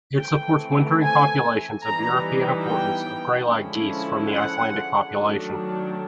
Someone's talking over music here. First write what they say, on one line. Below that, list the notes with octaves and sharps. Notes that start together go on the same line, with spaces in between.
It supports wintering populations of European importance of greylag geese from the Icelandic population.
E3 A3 C4 G5
G#5
E3 G3 B3 D#4 A#5
G5
D3 F3 G#3 C#4 E4
F#5
D#3 F#3 A3 D4